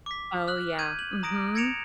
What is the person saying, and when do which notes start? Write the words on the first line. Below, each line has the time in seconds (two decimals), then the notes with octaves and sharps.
Oh, yeah, mhm.
0.06 D6 B6
0.48 F6 F#6 F#7
0.79 G6 G#6 D#7
0.99 F#7
1.23 A#5 D#6 A#6 D7
1.55 G#6 A#6 C#7 D7 E7 F7